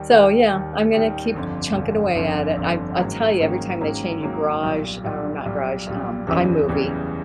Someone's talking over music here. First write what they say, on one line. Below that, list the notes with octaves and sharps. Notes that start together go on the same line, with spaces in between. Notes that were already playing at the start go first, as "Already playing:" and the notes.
so, yeah, I'm gonna keep chunking away at it. I I'll tell you, every time they change a garage, or not garage, um, iMovie,
Already playing: D#2 D#3 G3
D#2 D#3 G3
D#2 D#3 G3
D#2 D#3 G3
G1 F2 D3
G1 F2 D3
G1 F2 D3
G1 F2 D3
G#2 D#3 F#3 A#3 C#4
G#2 D#3 F#3 A#3 C#4
G#2 D#3 F#3 A#3 C#4
G#2 D#3 F#3 A#3 C#4
B1 A#2 G3
B1 A#2 G3
B1 A#2 G3
B1 A#2 G3
F#1 E2 C#3 E3 G3
F#1 E2 C#3 E3 G3